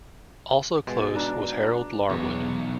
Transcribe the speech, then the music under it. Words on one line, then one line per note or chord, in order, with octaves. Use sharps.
Also close was Harold Larwood.
B2 G#3
D4 A#5
B1 E2 C#5